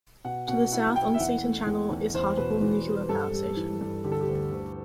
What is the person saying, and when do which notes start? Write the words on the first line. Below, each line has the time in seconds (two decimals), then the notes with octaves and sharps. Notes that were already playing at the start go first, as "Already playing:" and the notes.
To the south on Seaton Channel is Hartlepool Nuclear Power Station.
0.25 B2 F#5
0.48 B2 F#5
0.72 E4 F#5
0.96 E4 G5
1.14 E5
1.20 E2 F#5
1.43 A3
1.66 E2
1.91 E2
2.14 E2 C5
2.37 B2 B4
2.62 E2
2.86 G3
3.09 G2 A4
3.33 G3
3.57 E3
3.81 G2
4.04 D3 G4
4.12 A4
4.20 G4
4.28 D2
4.52 D2